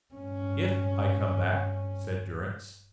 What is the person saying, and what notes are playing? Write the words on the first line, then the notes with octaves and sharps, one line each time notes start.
"If I come back," said Durrance.
G2 C#4